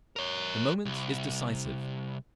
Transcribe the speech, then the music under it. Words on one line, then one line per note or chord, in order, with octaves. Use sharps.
The moment is decisive.
A#4 C#5
C2